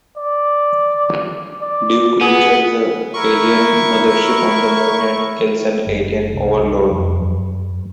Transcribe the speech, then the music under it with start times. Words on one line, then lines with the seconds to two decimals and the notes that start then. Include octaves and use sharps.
Duke reaches the alien mothership on the Moon and kills an alien Overlord.
0.17 D5
1.61 D5
2.21 B3 G#4
3.14 E4 A#4 C#6
5.87 F#1
6.34 C2
6.91 F2
7.21 F#2